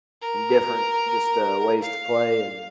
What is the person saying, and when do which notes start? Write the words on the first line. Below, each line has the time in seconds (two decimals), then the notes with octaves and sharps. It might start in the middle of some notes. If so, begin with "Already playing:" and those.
in different just, uh, ways to play and
0.22 A#4
1.82 F5